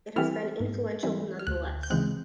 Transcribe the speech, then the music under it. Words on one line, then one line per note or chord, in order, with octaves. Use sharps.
It has been influential nonetheless.
E3 G3 C4 E4 F6
G#2
E3 G3 C4 E4
F6
D2 F#6
G6
C#3 E3 G#3 C4 F#6